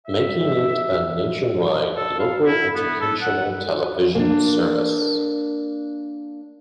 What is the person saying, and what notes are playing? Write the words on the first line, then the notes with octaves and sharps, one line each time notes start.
Making it a nationwide local educational television service.
E5
A4
F5
E4
B3
A4
F#5
A#3 D4